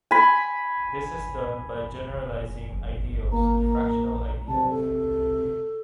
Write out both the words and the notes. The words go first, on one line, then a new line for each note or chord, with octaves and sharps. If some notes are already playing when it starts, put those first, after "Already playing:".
This is done by generalizing ideals to fractional ideals.
G#5 B5
A#3 A#5
C3 A5
A4